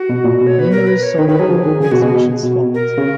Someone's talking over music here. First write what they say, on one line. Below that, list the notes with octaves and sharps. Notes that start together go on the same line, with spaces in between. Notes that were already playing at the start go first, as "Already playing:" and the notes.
Numerous solo and group exhibitions followed.
Already playing: F#4
B2
A#2
B2
C#5
B4
A#4
B4
C#5
D#3 B4
D#3 B4
F#3 G#4
F3
D#3
C#3 G#4
B2 F#4
B2 G#4
B2
A#4
C#3